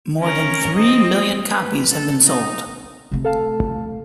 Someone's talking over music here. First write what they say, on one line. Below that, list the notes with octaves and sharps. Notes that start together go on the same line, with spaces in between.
More than three million copies have been sold.
C#4 A#4
C4 D#5
B4
A4
D#4
C3 A3
A4 F5 A5